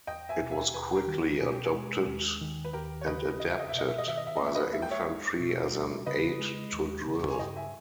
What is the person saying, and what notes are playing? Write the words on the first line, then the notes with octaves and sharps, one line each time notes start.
It was quickly adopted and adapted by the Infantry as an aid to drill.
E2 D#5 G5
E5 G#5
B2
E5 G#5
D#2 G#4 B4
G4 A#4
D#3
B2 G#4
G4
G#4
G#3
D#2
D#3
B4
D#2 G4 A#4
C#5
C#3 B4 D#5
E2 D#5
E5
D#5
B2 E5
D#5
E5
D#5
D#3 E5
D#5
E5
A#3 D#5
E5
B4 D#5
G#3 E5
G5
C#5 E5
D#4
B2
G3
C#3 B4 D#5
G#3
D#2
C#3
G#5
G2 D#5 G5
E5 G#5